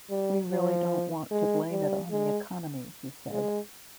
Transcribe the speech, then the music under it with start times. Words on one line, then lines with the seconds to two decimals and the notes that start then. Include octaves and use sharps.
"We really don't want to blame it on the economy," he said.
0.10 G3
0.51 F3
1.31 G#3
1.71 G3
2.11 G#3
3.31 G#3